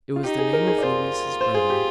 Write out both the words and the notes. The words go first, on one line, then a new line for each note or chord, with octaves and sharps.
It was the name of Louise's brother.
F4
D#4 G4
G#4
A#4
G#4
D5
F4 C5
C5
G#4
G4